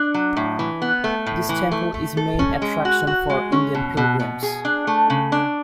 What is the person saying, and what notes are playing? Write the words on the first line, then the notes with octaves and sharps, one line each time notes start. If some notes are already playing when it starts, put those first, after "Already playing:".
This temple is main attraction for Indian pilgrims.
Already playing: D4
F#3
A2
E3
B3
A3
A2
E3
A3
A3
A4
C#4
G#3
F#4
F#4
G#3
C#4
B2
B2
B2
G#4
D4
A3
C#3
D4